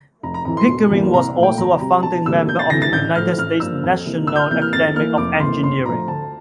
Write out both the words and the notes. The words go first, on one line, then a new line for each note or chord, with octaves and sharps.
Pickering was also a founding member of the United States National Academy of Engineering.
F1 A#5
A#5
F2 E3 A#5
C6
E1
E2 E3 G3 A#3
C2 A#5
A#2 A3
G5
E2 A#5
C3 G3 A#5
E1 A5
D2 C3 G3 A#3 E6
E1 G6
A6
D2 C3 E3 A3 A#6
A6
A1 G6
A2 F3 F6
A1 F6
G2 F3 A#3 E6
F2
C3 E3 A#3
D2 E6
G6
F6
C3 E3 A#3 G6
F6
F2 A6
E3 A#3 F6
F1 D6
F2 E3 A#3 C6
G1 C6
G2 F3 A3 A#5
D2 A5